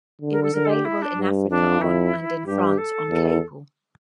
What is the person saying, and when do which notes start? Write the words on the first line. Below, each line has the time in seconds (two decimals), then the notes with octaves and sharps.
It was available in Africa on and in France on cable.
0.21 D3
0.31 A#4
0.43 A4
0.54 D3 A#4
0.65 A4
0.69 G4
0.85 E4
1.02 D4
1.17 G2
1.50 F2 D4
1.81 F2 E4
2.46 G2 G4
2.78 A4
3.10 E2